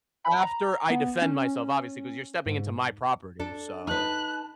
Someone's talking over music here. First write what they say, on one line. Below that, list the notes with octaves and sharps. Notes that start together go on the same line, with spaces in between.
after I defend myself, obviously, 'cause you're stepping into my property, so"
B5
A#5
B3
C#4
G#2
D4 A4
D#4 B4 A5 F#6